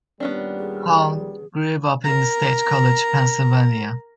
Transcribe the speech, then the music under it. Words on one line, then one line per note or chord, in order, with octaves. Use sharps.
Kahn grew up in State College, Pennsylvania.
D#2 A#2 G3 B3 C#4 D4
G#4
A#4 A#5